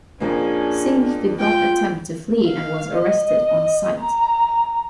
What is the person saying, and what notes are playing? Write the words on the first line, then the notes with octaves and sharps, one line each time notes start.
Singh did not attempt to flee and was arrested on site.
F2 F3 A#3 C#4 D4 G#4
F4 G5
F5
D#5
A#5